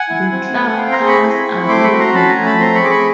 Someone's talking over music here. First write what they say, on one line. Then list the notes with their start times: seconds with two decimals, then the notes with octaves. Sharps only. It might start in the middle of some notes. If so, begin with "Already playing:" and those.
The club colours are red and green.
Already playing: F#5 G#5
0.09 E4
0.32 C4
0.54 A3
0.74 G#5
0.77 C4 F5 G5
0.92 A#5 C6
1.00 G#4
1.07 B5 C#6
1.23 E4
1.46 C4
1.68 A3 C6 D6
1.84 B5 C#6
1.91 F#4
1.99 A#5 C6
2.14 C#4 A5 B5
2.29 G#5 A#5
2.37 A3
2.45 A5 B5
2.60 C4 A#5 C6
2.75 B5 C#6
2.82 G#4 D6
2.90 B5 C#6